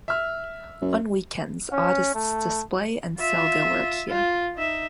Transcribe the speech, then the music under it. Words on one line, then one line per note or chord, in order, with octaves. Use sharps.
On weekends, artists display and sell their work here.
E5 F6
F#2
C#4
A3
F4 E5
F4
D#4 E5